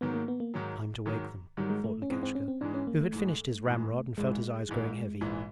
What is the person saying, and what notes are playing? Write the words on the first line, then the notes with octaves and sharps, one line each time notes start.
'Time to wake them,' thought Lukashka, who had finished his ramrod and felt his eyes growing heavy.
G#2 D#3 F#3 B3
A#3
B3
A#3
G#2 D#3 F#3
G#2 D#3 F#3
G#2 D#3 F#3 G3
G#3
A3
C#4
G#2 E3 G#3 C4
C4
C#4
C4
G#2 E3 G#3 D4
C#4
A#3
A3
G#2 E3 G#3
G#2 E3 G#3
A#1 G#2 E3 G#3
A#1 G#2 E3
A#1 G#2 E3